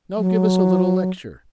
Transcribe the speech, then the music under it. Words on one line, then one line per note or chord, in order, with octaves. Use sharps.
"Now give us a little lecture."
F#3